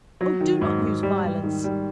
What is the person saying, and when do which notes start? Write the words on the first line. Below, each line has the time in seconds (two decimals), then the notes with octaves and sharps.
'Oh, do not use violence!
0.21 F#3
0.41 D#3
0.61 G#2
0.82 G#2
1.03 G3
1.23 G3
1.44 D#3
1.64 G3